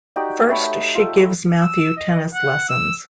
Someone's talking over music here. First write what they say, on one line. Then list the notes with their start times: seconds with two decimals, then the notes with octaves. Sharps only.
First she gives Matthew tennis lessons.
0.16 D#4 F#4 G4 D5
0.49 A3 A4 C#5 B5
0.95 F4 A4
1.61 E6
1.97 D#5
2.34 F#5
2.69 E6